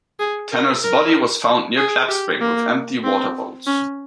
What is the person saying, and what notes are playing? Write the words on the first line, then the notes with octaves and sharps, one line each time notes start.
Tanner's body was found near Clapp Spring with empty water bottles.
G#4
A#4
A#4
G#4
G4
A#3
C4
C#4